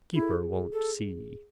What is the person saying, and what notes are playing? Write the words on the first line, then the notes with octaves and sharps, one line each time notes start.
Keeper won't see.
E4 G#4
A4
G#4
G#4
G#4 A4